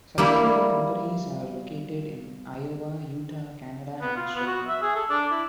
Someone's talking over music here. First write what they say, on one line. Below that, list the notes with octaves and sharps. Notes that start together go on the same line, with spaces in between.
Subsidiary companies are located in Iowa, Utah, Canada, and Australia.
G3 A#3 E4
B3
F4
B3
F#4
E5
G#4
A4
D4
E4